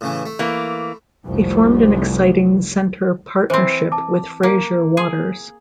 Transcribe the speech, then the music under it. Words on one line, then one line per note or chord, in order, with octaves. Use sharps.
He formed an exciting centre partnership with Fraser Waters.
A2 C#3 E3
A3
E3 A#3
F1 C2 F3
E3 C4 C5 C6
A5 D6
A#3
G#4